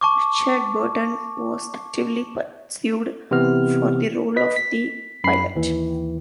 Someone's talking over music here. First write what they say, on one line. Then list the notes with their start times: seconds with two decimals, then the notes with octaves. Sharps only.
Richard Burton was actively pursued for the role of The Pilot.
0.01 A5 C#6 D6
3.31 C3 E3 B3 F6
4.36 B4 D#5 B6
4.56 B6
5.24 F#2 B5 C7
5.55 D#2 E3